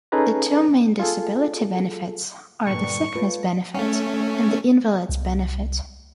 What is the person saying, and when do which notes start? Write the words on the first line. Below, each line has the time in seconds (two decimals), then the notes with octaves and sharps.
The two main disability benefits are the Sickness Benefit, and the Invalid's Benefit.
0.12 C#4 D#4 G#4 A4 B4 A#5
1.00 F4 G#4 A4
2.66 G2 A#2 D3 C#6
3.15 A3 F4 B4 C#5
3.75 A3 C#4
5.09 C2